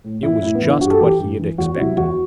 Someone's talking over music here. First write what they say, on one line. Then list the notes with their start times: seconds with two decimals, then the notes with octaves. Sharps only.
It was just what he had expected.
0.04 A2
0.23 E3 E4
0.42 A2 E4
0.55 B3
0.61 E3 E4
0.68 D4
0.81 G2 F#4
0.87 G4
0.91 A4
1.00 E3 G4
1.19 G2
1.39 E3
1.58 E2 F#4
1.77 C3 F#3 E4
1.97 E2 F#4